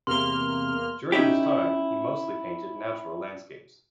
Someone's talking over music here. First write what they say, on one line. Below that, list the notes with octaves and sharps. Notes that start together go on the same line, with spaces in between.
During this time, he mostly painted natural landscapes.
E2 C3 A#3 C6 F6 G7
C#4 D#4 E4 G4